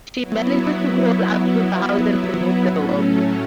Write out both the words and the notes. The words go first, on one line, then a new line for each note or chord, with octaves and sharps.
She manages to crawl up to the house and remove the worm.
F#3 B3 E4
A2 F#3 A3 C#4